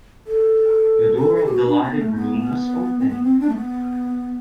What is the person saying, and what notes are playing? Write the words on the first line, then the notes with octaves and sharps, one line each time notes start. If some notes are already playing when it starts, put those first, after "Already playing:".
The door of the lighted room was open.
A4
G4
A4
A4
G4
F#4
D4
B3
A3
B3
C4
B3
C4
D4
A3
B3